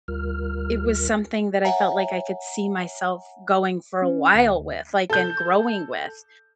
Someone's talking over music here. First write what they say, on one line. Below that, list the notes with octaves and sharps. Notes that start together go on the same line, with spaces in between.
it was something that I felt like I could see myself going for a while with, like, and growing with,
D2 G3 F4 A#4 F6
C#5 E5 F#5 G#5 A#5
C#4
D2
A4 G6